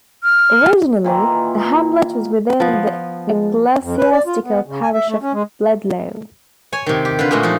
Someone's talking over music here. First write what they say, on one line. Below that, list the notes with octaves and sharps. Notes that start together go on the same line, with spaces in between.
Originally the hamlet was within the ecclesiastical parish of Bledlow.
F6
A#2 D#3 E3
F3 B3
G#3
F2
B4
D5
F4
B3
C#3
G#5
E5
A3
C#4
G#3
C#5 G#5
C3 D#3
G4
D3 F4 B4
A#2 G#3 A3 F#4
F3 D#4